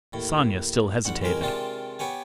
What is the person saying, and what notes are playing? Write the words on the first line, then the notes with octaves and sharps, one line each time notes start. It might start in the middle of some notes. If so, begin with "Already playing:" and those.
Sonia still hesitated.
D#2 A2
A1 D2 F#5
A1 F2 G#3 A#4
C3 D#3 G#3 D4 F4
B3 G4 C#5 G#5